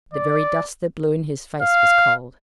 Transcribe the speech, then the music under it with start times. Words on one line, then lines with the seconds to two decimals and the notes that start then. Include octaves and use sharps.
The very dust that blow in his face was cold.
0.13 D5
1.62 F5